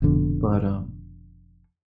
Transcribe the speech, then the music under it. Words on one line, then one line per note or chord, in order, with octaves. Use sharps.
But, um
F1 F2 B2 D3